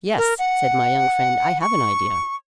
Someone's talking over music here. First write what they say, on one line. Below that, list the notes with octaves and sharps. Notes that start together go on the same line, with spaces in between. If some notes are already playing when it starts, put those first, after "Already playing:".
"Yes," said my young friend; "I have an idea."
A#4
F#5
C#6